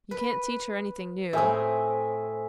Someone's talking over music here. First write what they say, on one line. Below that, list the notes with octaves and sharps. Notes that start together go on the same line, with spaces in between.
You can't teach her anything new.
B4
A2 C4 E5 G#5 D#6